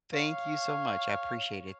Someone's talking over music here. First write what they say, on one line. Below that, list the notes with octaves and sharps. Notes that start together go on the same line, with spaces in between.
Thank you so much, I appreciate it.
C#5 F5